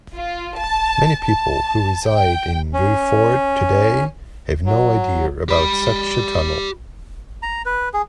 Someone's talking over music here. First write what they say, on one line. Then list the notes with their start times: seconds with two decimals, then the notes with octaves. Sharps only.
Many people who reside in Vieux-Fort today have no idea about such a tunnel.
0.17 F4
0.57 A5
1.23 A5
2.07 G5
2.73 C#4
4.66 F#3
5.49 G4 B5
7.43 A#5
7.66 B4
7.94 G#4